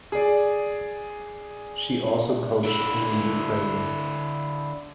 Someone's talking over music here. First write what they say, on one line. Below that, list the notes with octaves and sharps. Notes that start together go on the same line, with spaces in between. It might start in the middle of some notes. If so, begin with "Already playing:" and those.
She also coached in the Ukraine.
G#4 D5
D3 E4